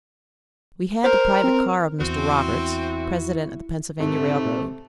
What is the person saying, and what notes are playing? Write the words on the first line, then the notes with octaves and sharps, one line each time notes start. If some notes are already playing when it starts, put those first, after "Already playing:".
We had the private car of Mr. Roberts, President of the Pennsylvania Railroad.
A#4 C5
C4
E2 C4 E4 F#4
G#2 C3 A3